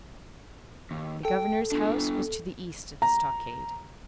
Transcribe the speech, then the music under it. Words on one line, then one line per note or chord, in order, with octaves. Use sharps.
The governor's house was to the east of the stockade.
D#2
A4 G5
B3 D4
A#5